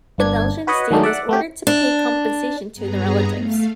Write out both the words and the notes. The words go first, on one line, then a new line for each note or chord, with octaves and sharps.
The Belgian state was ordered to pay compensation to the relatives.
G1 A#3 D4 G#6
F#4 B4 C#5 D#5 F#5
D#3 F#3 G#3 A3 D4 D#4
D5 E5 F#5
A3 F#4 G4
D4
G2 B3 G#4 A#5
A3 F5